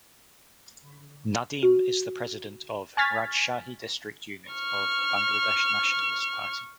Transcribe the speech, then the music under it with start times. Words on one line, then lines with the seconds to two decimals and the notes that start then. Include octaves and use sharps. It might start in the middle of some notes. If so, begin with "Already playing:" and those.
Nadim is the President of Rajshahi District unit of Bangladesh Nationalist Party.
1.63 F#4
2.97 G#5 C#6 F6 G#6 A6 B6
4.52 C#6 F6